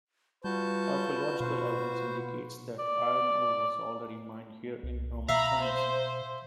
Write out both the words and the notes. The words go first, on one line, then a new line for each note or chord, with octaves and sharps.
Archaeological evidence indicates that iron ore was already mined here in Roman times.
G3 F4 F#4 B4 A5 G6
B2 F#4 C5
D5
C2
B2 E5 F5 A#5 B5
C5